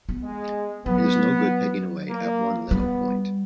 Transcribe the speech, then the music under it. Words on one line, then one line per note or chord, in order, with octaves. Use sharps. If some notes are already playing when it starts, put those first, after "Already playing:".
It is no good pegging away at one little point.
B3
G#3
F#3 B3
A#3
G3 B3